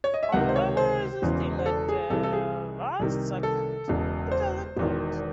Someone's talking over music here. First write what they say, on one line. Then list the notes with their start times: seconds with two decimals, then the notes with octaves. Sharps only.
However, resisting at the last second, he doesn't do it.
0.04 C#5
0.14 D#5
0.23 E5
0.32 C#2 C3 D#3 F#5
0.49 C5
0.56 C#5
0.77 C5
1.22 E1 E2 C#3 E3
1.59 C5
1.66 A4
1.89 G#4
2.10 C2 C3 E3 A4
2.23 A4
2.33 G#4
2.99 C2 C3 D#3
3.43 A4
3.88 E1 E2 C#3
4.32 C5
4.77 E1 E2 D#3